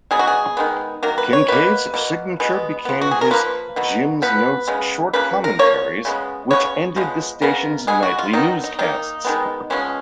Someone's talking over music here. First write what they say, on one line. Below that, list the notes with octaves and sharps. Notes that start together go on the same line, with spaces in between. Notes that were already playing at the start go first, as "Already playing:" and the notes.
Kincaid's signature became his "Jim's notes," short commentaries which ended the station's nightly newscasts.
B2 F#3 B3 G#4
F#4
G#4
D#3 G#3 B3
D#3 F#3 A#3 A#4
B4
C#5
B2 A#3 B4
B2 A#3
B2 G#3 B3
F3 B3
F#4
G#4
A#4
F3 A#3 B4
B2 F#3 B3
F3 B3 B4
C#3 G#3 B3
C#3 F3 A#3 B4
A#4
F3 A#3 C#5
C#3 G#3 B3
C#3 G#3 B3 C#5
F3 G#3 B3
C#3 G#3 B3 A#4
B2 G#3 B3 G#4
F#4
F4
D#3 F#3 B3 D#4
D#4
D#3 A#3 D#4
D#3 G#3 B3
F3 G#3 B3 C#4